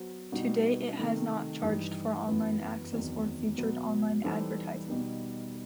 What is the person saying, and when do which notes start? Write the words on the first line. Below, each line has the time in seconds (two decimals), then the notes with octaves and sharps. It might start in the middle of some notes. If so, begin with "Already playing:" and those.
To date it has not charged for online access or featured online advertising.
Already playing: F#3 B3 F#4 C5
0.32 B2 G3 D#4 F#4
0.97 C3 D#3 A3 D#4
1.62 G2 E3 G3 D#4 G4
2.27 F#2 E3 B3 E4 B4
2.92 E2 D#3 F#3 C4
3.58 B2 F#3 B3
4.23 E3 G3 D#4 A4 C5
4.88 B2 G3 D#4